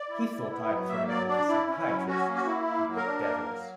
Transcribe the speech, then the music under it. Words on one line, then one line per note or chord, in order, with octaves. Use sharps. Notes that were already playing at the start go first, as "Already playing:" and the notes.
He thought I had thrown in with the psychiatrists, with the devils.
Already playing: D5
E4
E4
B3
F#3
A#3 E5
F#3 D5
D4 D5
E4 D5
C#4
F#3
C#4 F#4
A#3
F#4
E4
A#3
F#3
A#4
D4
A#3
F#3